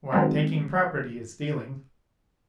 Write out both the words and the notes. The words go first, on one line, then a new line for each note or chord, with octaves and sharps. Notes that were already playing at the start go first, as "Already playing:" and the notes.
"Why, taking property is stealing."
D#3 F#3 G#3 C4